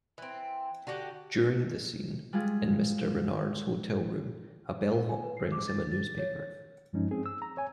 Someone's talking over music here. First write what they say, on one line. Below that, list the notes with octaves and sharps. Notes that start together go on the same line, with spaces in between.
During the scene in Mr. Renard's hotel room, a bellhop brings him a newspaper.
E3 C4
D3 F#4 G4 F#5
G3 G#3 F4 G#4
G#5
B4
C7
D6
A6
A6
C#5
G2 F3 G#3 C#4 D#4
C4 G#4
E6
A#5
C#5 G#5